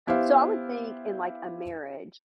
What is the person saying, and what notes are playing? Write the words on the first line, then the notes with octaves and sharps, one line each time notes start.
So, I would think in like a marriage
B3 E4 G4 C5 F5